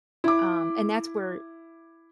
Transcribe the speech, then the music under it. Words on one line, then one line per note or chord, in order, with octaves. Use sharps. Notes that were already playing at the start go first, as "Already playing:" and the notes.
Um, and that's where
E4 D6